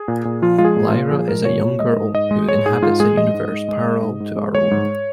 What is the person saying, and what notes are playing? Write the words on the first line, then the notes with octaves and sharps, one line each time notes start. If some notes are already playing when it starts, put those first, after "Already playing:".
Lyra is a young girl who inhabits a universe parallel to our own.
Already playing: G#4
A#2
A#2
F3 F4
G#3 F4
G#4
A#2
F4
A#2
F3 G#4
G#3 A#4
A#2 C#5
A#2 C#5
G#3 D#5
G#2
G#2 D#5
G#3
G#3 C#5
G#2 G#4
G#2 F4
G#3 G#4
G#3 D#5
G#2
G#2
G#3
G#3
G#2
G#2
G#3
G#3 C#5
G#2